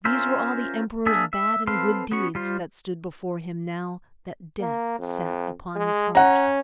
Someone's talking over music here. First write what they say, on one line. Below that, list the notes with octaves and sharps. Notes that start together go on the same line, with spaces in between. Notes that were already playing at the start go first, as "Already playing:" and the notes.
These were all the Emperor's bad and good deeds, that stood before him now that Death sat upon his heart.
C#4 F4 A#4 C5 E5
A#3 D4 G#4 E5
E5
C4 A4 B4 F5 C6
B3 C#4 F#4 C#6
G3 F4 C5
A#3
F2
G#3
C#4 F#5 A#5